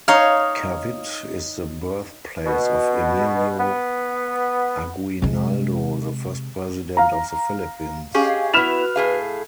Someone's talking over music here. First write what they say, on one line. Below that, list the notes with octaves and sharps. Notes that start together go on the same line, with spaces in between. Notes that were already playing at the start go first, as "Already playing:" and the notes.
Kawit is the birthplace of Emilio Aguinaldo, the first President of the Philippines.
D#4 C#5 F5
B2
B3
C3 G#3
F5 A#5
C#4 G4 G#4 D#5 F5
B3 E4 F#4 B4 F6 E7 F7
A2 G#4 F5